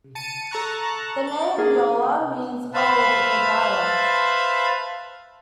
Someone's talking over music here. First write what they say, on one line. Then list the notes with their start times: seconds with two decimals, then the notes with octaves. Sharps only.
The name "Yola" means "old" in the dialect.
0.15 A5 C#7 D#7
0.51 A4 A5 A#5 C#6 F#6
1.27 A6
1.58 A#3 G#4
2.74 B4 C5 E5 F5 A5 B5